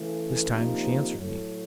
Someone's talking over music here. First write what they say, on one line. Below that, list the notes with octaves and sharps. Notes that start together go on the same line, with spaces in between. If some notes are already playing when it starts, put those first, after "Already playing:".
This time she answered me.
Already playing: C#3 E3 A3
D2 C3 F3 A#3 D#4
A2 F#3 A3